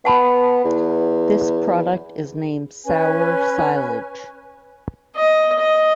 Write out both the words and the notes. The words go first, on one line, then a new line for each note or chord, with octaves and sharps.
This product is named sour silage.
B3 F#5 A5 B5
E2
C#4 B4 G#5
D#5
D#5